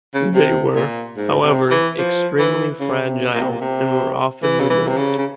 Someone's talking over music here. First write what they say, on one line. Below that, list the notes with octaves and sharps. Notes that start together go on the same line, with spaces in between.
They were, however, extremely fragile and were often removed.
C#3
C3
A#2
G#2
C3
E3
F3
E3
C#3
C3
A#2
C3
A#2
C3
E3
C#3
E3
C3
C#3
C#3